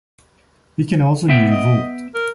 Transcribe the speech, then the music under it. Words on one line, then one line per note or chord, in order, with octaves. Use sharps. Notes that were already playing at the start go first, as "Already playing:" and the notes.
It can also be revoked.
B3 E5 G5
D#5
A#4